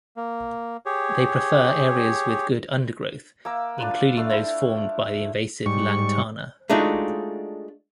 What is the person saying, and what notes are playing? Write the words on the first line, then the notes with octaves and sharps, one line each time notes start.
They prefer areas with good undergrowth including those formed by the invasive "Lantana".
A#3
G4 G#4 C#5
A#3 D6 E6
D4 F4 B4
A3 D4 F5
E4 C5 F5
G#2 G3 C#6
G#3 A3 D4 D#4 F4 F#4